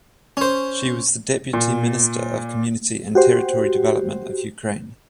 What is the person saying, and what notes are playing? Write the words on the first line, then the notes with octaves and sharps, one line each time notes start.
She was the Deputy Minister of Community and Territory Development of Ukraine.
C#4 C5
A#2
F#4 G4 C5